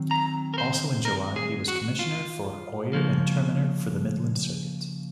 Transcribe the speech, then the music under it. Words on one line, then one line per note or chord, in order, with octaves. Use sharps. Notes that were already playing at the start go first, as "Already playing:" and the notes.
Also in July, he was commissioner for oyer and terminer for the Midland circuit.
Already playing: D#3 F#3 C4
A#5
A#4
C5
A#4
G#4
F#4
F4
C#3 F3 A#3